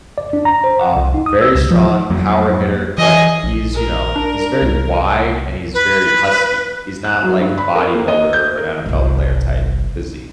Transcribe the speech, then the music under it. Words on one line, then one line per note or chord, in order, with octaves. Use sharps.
Um, very strong power hitter, but he's, you know he's very wide, and he's very husky. He's not like a bodybuilder or an NFL player type physique.
D5
D4
A#5
C5
F#5
C2
D#4
D#6
E6
C#2
F3
F2 F#3 A#3
E3 G#4 D#5
A#1
A#4
D4
C2
B4
F#6
F#3
G2
B5
A#4
A#3
D#5
G6
A#4
G1 C2